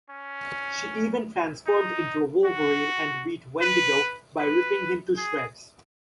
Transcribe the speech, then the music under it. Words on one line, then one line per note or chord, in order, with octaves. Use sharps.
She even transformed into a wolverine and beat Wendigo by ripping him to shreds.
C#4
D#4
F#4
B4
B4
G#4